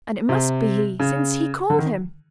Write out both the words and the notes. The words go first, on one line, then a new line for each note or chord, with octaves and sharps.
And it must be he, since he called him!
C3
C#3
D3
D#3